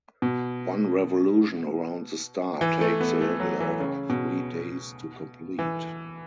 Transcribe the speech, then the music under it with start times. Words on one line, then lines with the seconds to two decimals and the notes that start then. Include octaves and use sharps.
One revolution around the star takes a little over three days to complete.
0.22 B2
2.61 E3
2.81 A3
3.01 B3
3.21 A3
3.40 F#3
3.61 E3
3.80 C#3
4.10 B2
5.59 E3